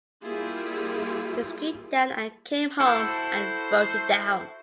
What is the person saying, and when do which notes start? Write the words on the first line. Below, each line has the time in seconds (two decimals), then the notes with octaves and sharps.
He skied down and came home and wrote it down...
0.24 G3 A#3 E4 F4 G4 G#4
2.80 E4 F#4 A4 C5